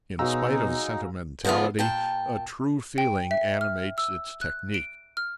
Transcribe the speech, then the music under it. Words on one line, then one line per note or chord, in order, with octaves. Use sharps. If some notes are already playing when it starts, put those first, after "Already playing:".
In spite of sentimentality, a true feeling animates its technique.
B2 F#3 G#3 D#4 F5 A#5 E6
D3 F3 G#3 B3 F4
A#2 G5 A5
G5
E5
F6
E6
F#6
D7
F6